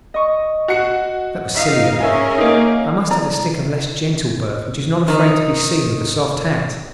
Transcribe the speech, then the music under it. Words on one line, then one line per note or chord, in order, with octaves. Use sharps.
That was silly of me. I must have a stick of less gentle birth which is not afraid to be seen with a soft hat.
D#5 C#6
F#4 C#7
D#4 F5
C#4 G#4 A#4 E5 G#5
A#3 D#4
E4 D5 A#5
D#3 D#4